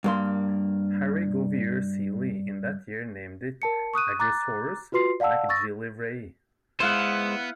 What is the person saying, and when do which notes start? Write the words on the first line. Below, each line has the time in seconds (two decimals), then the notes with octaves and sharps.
Harry Govier Seeley in that year named it "Agrosaurus macgillivrayi".
0.04 G2 A#3 C6
3.62 A#4 A5 C#7
3.94 C#6 D#6 F#6 D#7
4.19 A#5 D6 F#6 A6
4.92 F4 F#4 B4 C6 C7
5.20 D5 F5 F#5 A5 E6
5.49 C#6 E6 A6 A#6
6.80 G#3 B3 E4 C5 F5 F#5